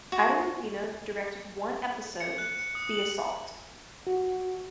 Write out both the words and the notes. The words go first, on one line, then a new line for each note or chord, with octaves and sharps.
Ida Lupino directed one episode, "The Assault".
F#4
C#7
F#6
C#7
D#6
F#7
F#4